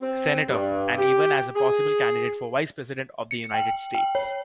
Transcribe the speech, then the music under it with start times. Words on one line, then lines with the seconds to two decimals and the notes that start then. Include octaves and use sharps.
Senator, and even as a possible candidate for Vice President of the United States.
0.02 C4
0.48 G2
0.98 G4
1.56 G#4
3.31 C#7
3.54 G5
3.95 G5
4.15 C#5